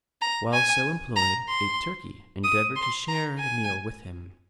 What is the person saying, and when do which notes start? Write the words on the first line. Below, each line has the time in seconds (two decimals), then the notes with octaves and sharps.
While so employed, a turkey endeavoured to share the meal with him.
0.21 A#5
0.53 G#5
1.16 A#5
1.48 C6
2.44 D#6
2.76 C6
3.08 A#5
3.39 G#5